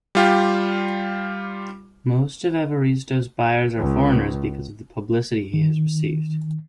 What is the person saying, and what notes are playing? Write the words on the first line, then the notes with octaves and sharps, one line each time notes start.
Most of Evaristo's buyers are foreigners because of the publicity he has received.
G3 F4 G4
C#2
D#3